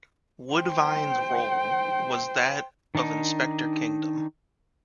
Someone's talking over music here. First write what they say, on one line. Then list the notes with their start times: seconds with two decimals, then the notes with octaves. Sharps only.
Woodvine's role was that of Inspector Kingdom.
0.53 C5 G5
2.95 D#3 D4 D#4